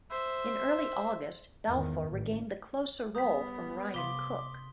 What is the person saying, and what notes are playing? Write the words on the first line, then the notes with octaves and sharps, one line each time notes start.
In early August, Balfour regained the closer role from Ryan Cook.
C5 E5
E2 G#2 D#3
A1
G3 B3 D#6 B6
C3 F5 C6 D6 B6 G7